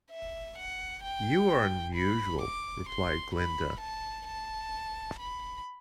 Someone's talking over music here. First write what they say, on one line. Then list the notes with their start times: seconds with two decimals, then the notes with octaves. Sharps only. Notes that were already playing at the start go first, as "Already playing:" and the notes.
"You are unusual," replied Glinda.
0.11 E5
0.58 F#5
1.04 G5
1.96 B5
2.42 D6
2.89 C6
3.35 B5
3.81 A5
4.28 A5
5.19 B5